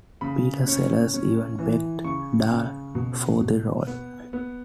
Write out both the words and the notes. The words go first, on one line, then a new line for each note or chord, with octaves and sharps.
Peter Sellers even begged Dahl for the role.
C#3 B5
C#4
C#4
E3
C#3 C#6
C#3
B2
B2
B3
B3